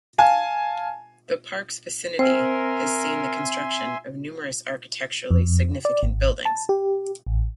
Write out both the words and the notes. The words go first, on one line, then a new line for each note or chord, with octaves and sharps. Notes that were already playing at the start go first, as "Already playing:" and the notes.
The park's vicinity has seen the construction of numerous architecturally significant buildings.
F5 G#5 A5
C4 A#4 C5 E5 G#5 C6
F2
D5
G#1
A5
G4
A1